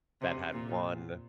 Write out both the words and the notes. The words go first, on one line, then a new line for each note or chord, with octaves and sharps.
that had one
C3
A#2